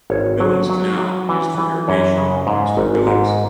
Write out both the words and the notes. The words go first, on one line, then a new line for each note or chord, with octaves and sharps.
The Billings Canal, used for irrigation, runs through Billings.
G#1 C#5
F#3
F#3
F#3
E3
E3
F#2 C#5
C#3
G#2
G#1
G#2